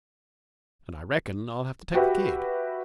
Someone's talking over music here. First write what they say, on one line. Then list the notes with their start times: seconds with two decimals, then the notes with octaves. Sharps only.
And I reckon I'll have to take the kid.
1.94 F#4 G4 B4 E5